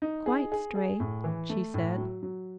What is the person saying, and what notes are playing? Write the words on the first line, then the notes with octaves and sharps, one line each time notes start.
"Quite straight," she said.
D#4
G#4
G#4
G#4
A2
E3
A3
A2
F#3
F#3